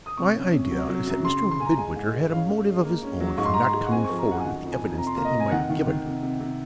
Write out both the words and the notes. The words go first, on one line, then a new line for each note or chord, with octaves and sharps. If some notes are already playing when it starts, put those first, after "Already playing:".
My idea is that Mr. Midwinter had a motive of his own for not coming forward with the evidence that he might have given.
D#6
C3 C#6
C#4
C3
F#3
F#3
F#2
C#3 C6
C#3 C6
C6
C#3 G#5
A#5
G#3 G#5
G#2
G#3
C#4 F5
C#4
G#3
A#3
C#4
F#3
G#2 C#6
C6
G#3 A#5
C6
G#3
F#5
C4 G#5
F3 C#6
A#5
F#2
F#5
G#5
D#3 F#5
F2
G#5
F2
C3 A#5
C6
A#3 A#5
D#5
C3
G#5
D#3 F#5
D#3
D#3
C3
C3
C3